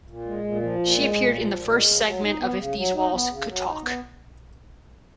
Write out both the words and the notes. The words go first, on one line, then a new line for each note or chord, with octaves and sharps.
She appeared in the first segment of "If These Walls Could Talk".
A#2
G#3
A#2
F3
A#2
G#3
A#2
F3
A#2
G#3
C#3
F#3
D#4
B3
C#3
F#3
D#4
B3
C#3
F#3
D#4
B3